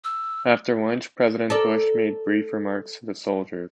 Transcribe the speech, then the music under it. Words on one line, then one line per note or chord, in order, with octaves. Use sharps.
After lunch, President Bush made brief remarks to the soldiers.
E6
A4 A#4 D5